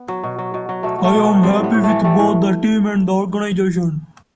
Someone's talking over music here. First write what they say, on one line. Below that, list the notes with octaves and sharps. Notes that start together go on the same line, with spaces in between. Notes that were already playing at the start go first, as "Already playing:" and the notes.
I am happy with both the team and the organization.
Already playing: B3
F#3
B2
F#3
B2
F#3
B2 A3
F#3
A3
B2
B3
F#3
G3 C4
A2 B3
A2
A3
E3
G3 A3
A2